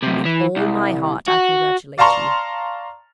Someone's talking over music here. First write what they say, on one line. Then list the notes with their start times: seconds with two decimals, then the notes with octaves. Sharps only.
With all my heart, I congratulate you.
0.03 F#2 C3
0.25 E3
0.56 C2
1.28 F#4
1.98 D5 F5 A5 A#5 C6 C#6